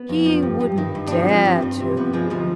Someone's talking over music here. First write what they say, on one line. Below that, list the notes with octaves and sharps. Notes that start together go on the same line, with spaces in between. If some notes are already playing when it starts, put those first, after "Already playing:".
He wouldn't dare to.
Already playing: B3
F2
F3
G2
G2
D#3
G2
D4
F3 C4
F3
G2 C4
G2
C3
F3 B3
F3 G#3
D2 F3